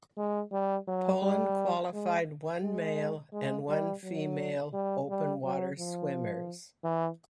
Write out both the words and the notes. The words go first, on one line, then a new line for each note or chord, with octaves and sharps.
Poland qualified one male and one female open water swimmers.
G#3
G3
F#3
G3
G#3
G#3
G#3
G3
F#3
G3
G3
F#3
F3
E3